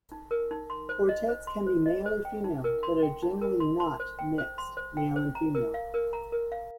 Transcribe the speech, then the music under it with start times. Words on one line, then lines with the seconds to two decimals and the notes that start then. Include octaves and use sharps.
Quartets can be male or female, but are generally not mixed male and female.
0.12 D#4
0.31 A#4
0.51 D#4
0.70 C6
0.89 C5
1.09 D#5
1.28 C5
1.47 C6
1.67 C5
1.86 D#5
2.06 C5
2.25 G5
2.44 D#4
2.64 A#4
2.83 C6
3.03 G5
3.23 D#4
3.41 A#4
3.60 C6
3.80 C6
4.00 C5
4.19 G5
4.38 C5
4.58 C6
4.77 C5
4.97 G5
5.16 C5
5.35 A#5
5.55 A#4
5.74 F5
5.94 A#4
6.13 A#5
6.32 A#4
6.52 F5